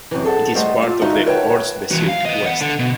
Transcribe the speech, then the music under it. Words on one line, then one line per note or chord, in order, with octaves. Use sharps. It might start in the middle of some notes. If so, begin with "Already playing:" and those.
It is part of the "Ortsbezirk West".
F#2 C3 E3
G#4 A4 F#5
G3 A3 B3 C5 D#5 F#5
F4
D3 G#3 D#4 F4 F#4 E5
A#4 B4 C#5 F#5 G5 A5
E3 F#4
F5
B4 D#5
B3 F#5
D3
B2